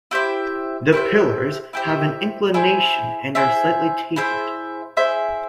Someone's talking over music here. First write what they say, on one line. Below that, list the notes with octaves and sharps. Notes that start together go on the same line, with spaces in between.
The pillars have an inclination and are slightly tapered.
E4 G4 C5 E5
E4 G4 C5 E5
E4 G4 C5 E5
E4 G#4 C5 E5
E4 G#4 C5 E5
E4 G#4 C5 E5
E4 G#4 C5 E5